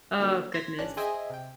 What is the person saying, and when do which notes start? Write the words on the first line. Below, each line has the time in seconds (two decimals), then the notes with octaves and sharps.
Oh, goodness.
0.19 D3 F#3 A#3
0.54 C6 G#6 A#6 B6
0.78 G#1 C#4 D4 F#6
0.97 G#4 C5 D#5 E5 G5 G#5
1.30 C3 G5